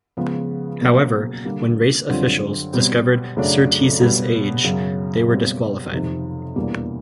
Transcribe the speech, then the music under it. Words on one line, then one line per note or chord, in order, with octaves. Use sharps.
However, when race officials discovered Surtees's age, they were disqualified.
C#3 F3 G#3 B3
B2 F#3 A#3 C#4
D3 G3 A#3
F#2 D3 G3 C4 F4
B2 G3 C4
F#2 C#3 F#3 A3 D4
B2 G3 B3
F#2 C#3 F#3
B2 G3 C4
F2 C3 D#3
E2 B2 G3 A#3 D4